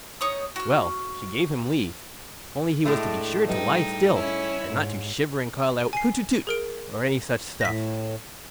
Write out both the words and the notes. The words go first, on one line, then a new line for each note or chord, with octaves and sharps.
Well! she gave him leave, only he was to be sure to lie still, and not to shiver and call out 'hutetu', or any such stuff.
D#4 C#5 D#6
F#4 F6
A2 G#3 A3 D4
G3 D#4 B4 D#5 G5
C#4 E4 C#5
G#2
G#5 C7
G#4 A#4 D7
A2 A#6 B6